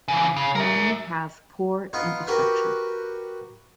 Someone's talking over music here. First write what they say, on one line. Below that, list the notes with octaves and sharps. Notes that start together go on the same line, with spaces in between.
Many have poor infrastructure.
C#3 E3
C#3
A#4 E5
B3 D#4 F4
F#4 G4 A#4 B4